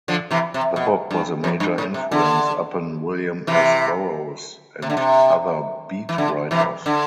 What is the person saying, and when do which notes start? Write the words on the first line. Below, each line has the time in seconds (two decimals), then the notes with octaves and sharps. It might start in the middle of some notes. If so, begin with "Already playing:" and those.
The book was a major influence upon William S. Burroughs and other Beat writers.
0.08 D3 F3
0.31 C3 E3
0.54 C3
0.76 B2
1.11 G2
1.44 F2
1.60 G2
1.78 A2
1.94 C3
2.11 D3
3.47 C3 E3
4.82 C3
4.90 D3
4.97 C3
6.09 E3
6.18 D3
6.51 C3 E3
6.86 D3